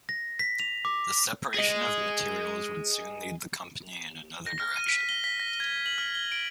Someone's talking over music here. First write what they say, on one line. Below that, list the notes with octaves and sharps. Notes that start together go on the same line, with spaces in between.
The separation of materials would soon lead the company in another direction.
A#6
B6
F7
D6
G#4 D#5
A#6
F6
D#7
B6
G7
B6
A#6
G#6
F#7
F6
G7
D7